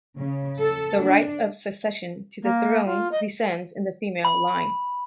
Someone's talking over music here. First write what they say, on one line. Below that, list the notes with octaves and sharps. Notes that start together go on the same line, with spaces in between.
The right of succession to the throne descends in the female line.
C#3
A4
D4
A#3
F4
D#5
B5